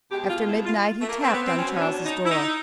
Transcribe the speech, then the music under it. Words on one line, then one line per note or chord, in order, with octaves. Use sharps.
After midnight he tapped on Charles's door.
B2 G#3 G4
F4
E4
F4
A3
A#3
C4
B3
C4
B2 F#3 C#4
C#4
D4
D#4
E4
D#4